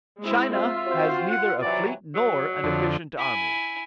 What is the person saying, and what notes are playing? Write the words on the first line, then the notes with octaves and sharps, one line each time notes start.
China has neither a fleet nor an efficient army.
G#3 C4 E4
F4 E5
C4 F#4 C5
F#5
C3 E3 F#3 D5
F#3
F2 D3
E4 G#5